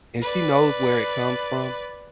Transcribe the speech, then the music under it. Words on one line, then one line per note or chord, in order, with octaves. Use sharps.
and she knows where it comes from,
B4 D5